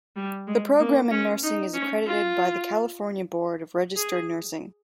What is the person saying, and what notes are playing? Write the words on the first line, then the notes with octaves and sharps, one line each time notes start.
The program in nursing is accredited by the California Board of Registered Nursing.
G3
G#3
A#3
C#4
D#4
C#4
F4
G#4